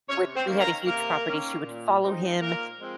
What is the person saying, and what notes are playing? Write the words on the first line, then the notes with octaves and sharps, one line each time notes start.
would we had a huge property- she would follow him,
C3 C#4 C#5
C4 C5
D#3 A#3 C#4
A#3 A#4
C3 A#3 A#4
D#3 A#3 C#4
A#2
F3 G#3 C4 D#4
A#2 A#3 A#4
F3 G#3 C4